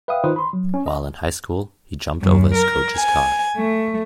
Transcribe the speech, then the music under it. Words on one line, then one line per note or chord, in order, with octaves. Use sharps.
While in high school, he jumped over his coach's car.
B4 E5 F5 G5 D#6
D#3 D#4 F4 B4 C5 D#6
B5 C6
F#3
C#4
D#5
F#2
A#4
G#5
A3